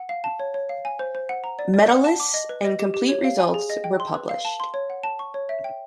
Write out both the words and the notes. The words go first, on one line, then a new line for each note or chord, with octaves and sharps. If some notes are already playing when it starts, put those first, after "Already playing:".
Medalists and complete results were published.
Already playing: F#5
F5
A5
C#5
C#5
F5
G#5
C5
C5
F#5
A#5
D5
D5
F#5
A5
D6
D#5
B4
D#5
G4
G4
C#5
F5
G#5
G#4
D#5
G5
C6
B4
F5
A5
C6
C#5
F#5
A5
C#6
C#5
E5
G5